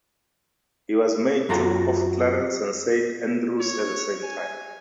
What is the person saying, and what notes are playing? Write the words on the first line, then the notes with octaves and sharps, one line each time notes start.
He was made Duke of Clarence and Saint Andrews at the same time.
F#2 F#3 F4 F#4 A4 A#5
C#5
G#5